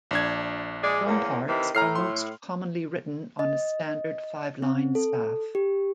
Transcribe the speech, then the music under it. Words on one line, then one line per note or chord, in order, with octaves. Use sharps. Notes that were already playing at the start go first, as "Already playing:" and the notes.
Drum parts are most commonly written on a standard five-line staff.
A#1 D4 G#6
G#3 G#4 D5
E2 C#3 A#3
C3 D#3 E3
A2 A#5 F6 C7
C6
D#5
C4
A4
G4